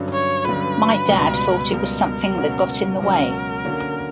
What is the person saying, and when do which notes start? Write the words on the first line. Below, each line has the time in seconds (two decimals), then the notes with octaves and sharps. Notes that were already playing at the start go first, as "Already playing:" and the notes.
My dad thought it was something that got in the way.
Already playing: G2 D3 F#3 C#4
0.13 C#5
0.44 G2 D3 F#3 C#4 B4
1.09 C#2 B2 G3
1.72 C#2 B2 G3 A#4
2.37 C#2 B2 F#3 C#4 F#4
3.01 C#2 B2 F#3 C#4 F#4 A#4
3.65 D3 A#3 C#4 F#4